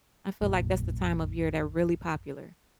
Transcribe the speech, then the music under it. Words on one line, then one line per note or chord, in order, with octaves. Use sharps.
I feel like that's the time of year they're really popular.
F1 A#1 F#2 A#2